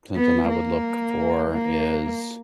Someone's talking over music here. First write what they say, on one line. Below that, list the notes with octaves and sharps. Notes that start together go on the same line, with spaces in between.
something I would look for is
B3
A#3
A#3